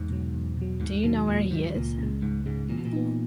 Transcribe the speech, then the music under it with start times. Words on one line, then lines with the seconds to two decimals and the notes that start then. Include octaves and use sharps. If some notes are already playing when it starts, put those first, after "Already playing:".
Do you know where he is?
Already playing: E2 G#2
0.10 B2 F#3
0.34 E2
0.57 B2 F#3
0.80 D#2 G#2
1.04 B2 D#3 F#3
1.28 D#2 A#2
1.51 G#2 D#3 F#3
1.75 C#2 A#2
1.98 C#3 G#3
2.22 C#2 G#2
2.46 G#2 C#3 G#3
2.69 A#2 E3
2.78 B2
2.85 A#2
2.93 B3 D#4